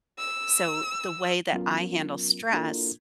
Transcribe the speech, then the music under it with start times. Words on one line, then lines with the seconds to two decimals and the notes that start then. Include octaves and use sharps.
So, the way that I handle stress
0.19 E6
1.53 F#3 B3 C#4 F4 A#4
2.52 A#3 D4 E4 F4 A4 A#4